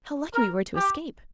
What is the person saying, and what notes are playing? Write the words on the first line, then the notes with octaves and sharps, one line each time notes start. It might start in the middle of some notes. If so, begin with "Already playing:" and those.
How lucky we were to escape!'
A#4
G4